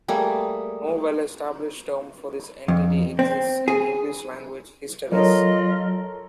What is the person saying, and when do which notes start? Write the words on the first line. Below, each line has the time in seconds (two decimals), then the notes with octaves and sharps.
No well-established term for this entity exists in English-language histories.
0.08 G3 A3 A#3 G#4
2.68 F2
3.19 C4
3.68 G#4
5.12 F#3 F4 A4 A#4 C#5 D#5